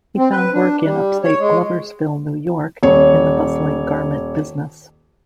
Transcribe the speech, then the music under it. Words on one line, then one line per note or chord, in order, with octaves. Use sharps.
He found work in upstate Gloversville, New York, in the bustling garment business.
C4
B4
D4
G3
C#5
G#3
D#1 C#5